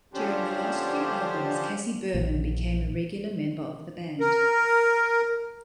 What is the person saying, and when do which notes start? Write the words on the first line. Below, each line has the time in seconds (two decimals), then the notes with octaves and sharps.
During the last few albums, Cassie Berman became a regular member of the band.
0.14 D3 F3 C#4 D4 G4 C5
2.14 A#1
4.20 A#4